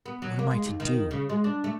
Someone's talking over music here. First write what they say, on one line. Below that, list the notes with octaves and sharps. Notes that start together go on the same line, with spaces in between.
"What am I to do?"
B3
F#3
A#3
G#3
D#2
D#3
C#3
G#3
D4
A3